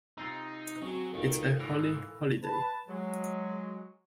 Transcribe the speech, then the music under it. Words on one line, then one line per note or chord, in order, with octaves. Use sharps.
It's a Holi-Holiday.
C3 C4 D#4 F4
F#3 C4 F#4 G#4 C#6
C#2 A#2 D#3 A4
G#2 E3 A#4
B4 A5
F#3 G#3